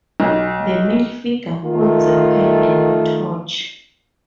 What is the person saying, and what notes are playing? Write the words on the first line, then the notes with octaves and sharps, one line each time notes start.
The male figure holds a pen and a torch.
B1
D#3 A3 F4